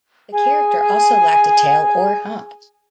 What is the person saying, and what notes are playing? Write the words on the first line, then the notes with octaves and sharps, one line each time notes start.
The character also lacked a tail or hump.
G#4 G#5